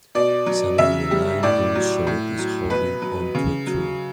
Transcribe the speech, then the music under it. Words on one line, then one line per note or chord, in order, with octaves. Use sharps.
Someone in a lime green shirt is holding on to a tree.
B2 D5
F#3
C#3 E5
G3
A2 D5
F#3
A2
F#3
B2 B4
F#3
C#3
F#3